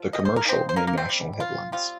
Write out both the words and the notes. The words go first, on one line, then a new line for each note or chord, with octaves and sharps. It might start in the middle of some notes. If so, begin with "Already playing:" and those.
The commercial made national headlines.
Already playing: F3 F4
D#5
C5
A#4
D#3 A#3 C4 D#4 C5
C5
A#3 A#4
A#3 A#4
C4 C5
C3 G3
F4
G3 C4 F4